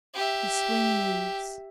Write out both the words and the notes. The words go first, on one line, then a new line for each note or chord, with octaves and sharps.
The swing moves.
G4 E5